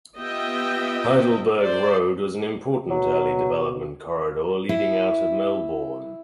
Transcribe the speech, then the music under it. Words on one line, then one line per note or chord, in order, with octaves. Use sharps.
Heidelberg Road was an important early development corridor leading out of Melbourne.
B3 F4 G4 D#5 E5 G5
C5 D5
B2 F#3
E4